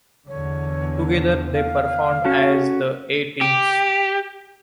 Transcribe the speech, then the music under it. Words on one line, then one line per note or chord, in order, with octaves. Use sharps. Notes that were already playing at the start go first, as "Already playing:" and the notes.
Together they performed as the A-Teens.
E2 D3 C#5
F5
C#4 F#4 A4
G4